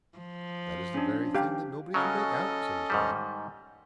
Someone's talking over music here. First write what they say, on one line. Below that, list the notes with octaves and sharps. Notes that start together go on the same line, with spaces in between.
"That is the very thing that nobody can make out," said his mother.
F3
C#4 D4
G4 F5
C#3 F#3 C#4 A4 D#5
G#2 D#3 G3